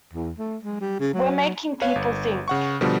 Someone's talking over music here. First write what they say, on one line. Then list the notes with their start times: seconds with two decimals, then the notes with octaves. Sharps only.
We're making people think.
0.13 E2
0.39 A3
0.63 G#3
0.81 G3
1.00 C#3
1.13 F#3
1.82 B4 C#5 F5
1.95 G1
2.48 C#3 F#5 C#6
2.81 B2 D3 F3 G3